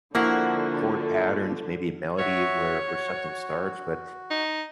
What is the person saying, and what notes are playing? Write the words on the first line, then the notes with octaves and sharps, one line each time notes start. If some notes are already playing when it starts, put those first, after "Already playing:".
chord patterns, maybe a melody where where something starts, but
D3 F3 A#3 E4 F#4 C5
F#4 C#5 E5
F#4
D#4